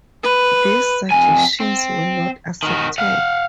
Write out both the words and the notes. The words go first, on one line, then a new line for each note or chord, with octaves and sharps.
These suggestions were not accepted.
B4
F2 G#5
C4
D#3 F#4
F5 F#5